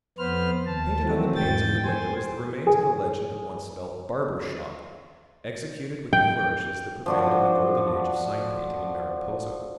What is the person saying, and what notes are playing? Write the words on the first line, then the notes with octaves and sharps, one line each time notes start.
Painted on the panes of the window is the remains of a legend that once spelt BARBER SHOP, executed with the flourishes that prevailed in the golden age of sign painting in Mariposa.
F2 B3 B4 C5 F6
D#2 A5
D#3 E3 F#3 A3 C4
E2 G#2 G5 A6
C5 G#5
G#4
G5
F3 D4 F#4